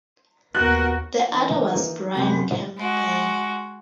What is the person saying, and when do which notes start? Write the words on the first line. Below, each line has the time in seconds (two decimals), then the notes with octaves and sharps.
The other was Brian Campbell.
0.55 D#2 B3 F#4 A#4 F#6
1.31 E3 A#3 D#4
2.15 F#2 C3
2.78 G#3 F#4